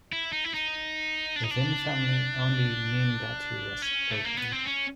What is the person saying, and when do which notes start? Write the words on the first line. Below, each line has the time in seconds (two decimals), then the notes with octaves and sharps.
Within the family, only Nheengatu was spoken.
0.12 E4
0.33 D#4
0.44 E4
0.54 D#4
1.36 D4
1.43 D#4
1.51 D4
3.82 C#4
4.11 A3
4.25 A#3
4.38 B3
4.52 C4
4.65 C#4